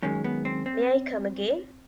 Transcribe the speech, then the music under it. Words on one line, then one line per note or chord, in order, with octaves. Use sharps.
May I come again?
F#2 D#3 G#3 C#4
B3
C4
C4